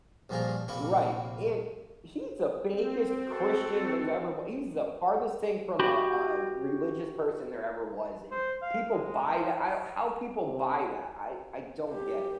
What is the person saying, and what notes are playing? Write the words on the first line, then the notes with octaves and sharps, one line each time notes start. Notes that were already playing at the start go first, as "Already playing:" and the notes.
Right, and he's the fakest Christian there's ever wa he's the farthest thing from a a religious person there ever was, and people buy that, I don't How people buy that, I I don't get it.
A#1 G2 A#2 F3 G#4 A#4
A#1 C3 A#3 B5 C#6
C4
F#4 A4
F#4 G4 B5
C5
F5
G#3
F3
C3
G4